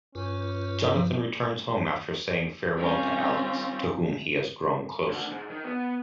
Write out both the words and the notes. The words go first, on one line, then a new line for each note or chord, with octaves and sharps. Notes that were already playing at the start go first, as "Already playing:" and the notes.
Jonathan returns home after saying farewell to Alex, to whom he has grown close.
G2 C#4 F4 B4
F3
D#3 G3 C4 C#4 F4
D#2 D3
G#2
D#3
B3